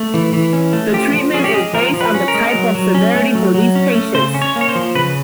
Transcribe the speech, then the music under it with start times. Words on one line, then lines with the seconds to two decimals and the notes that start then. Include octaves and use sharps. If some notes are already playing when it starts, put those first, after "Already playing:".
The treatment is based on the type of severity for these patients.
Already playing: A3
0.14 E3
0.33 E3
0.53 C#4
0.73 A3
0.93 F3 G4
1.14 F3
1.34 C#4 G#4
1.44 G4
1.53 G#3 G#4
1.73 F3 A#4
1.93 F3
2.01 B4
2.14 C#4
2.28 A#4
2.34 G#3
2.55 F#3
2.75 F#3
2.95 C#4
3.15 A3
3.35 F#3
3.54 F#3
3.75 C#4
3.95 A3
4.14 C#3 C5
4.34 C#4
4.42 C#5
4.56 A#3
4.61 C#5
4.69 C5
4.75 F3
4.95 C#3 B4